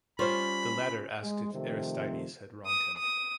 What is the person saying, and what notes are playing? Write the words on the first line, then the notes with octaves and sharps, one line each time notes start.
The latter asked if Aristides had wronged him.
G3 C#4 F4 C5 B5
G#3
C3 D#3 F3 A3 C4
D#6
D#6